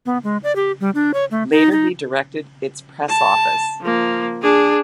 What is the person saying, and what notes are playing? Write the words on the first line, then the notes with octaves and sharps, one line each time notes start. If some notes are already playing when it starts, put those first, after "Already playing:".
Later he directed its press office.
B3
G#3
D5
G4
G3
D4
C#5
A3
D#4
D#4
A5
F3 A#3
D4 G#4